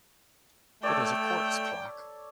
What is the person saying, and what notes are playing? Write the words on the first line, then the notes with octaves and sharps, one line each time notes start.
It is a quartz clock.
A3 A4 C#5 D5 G5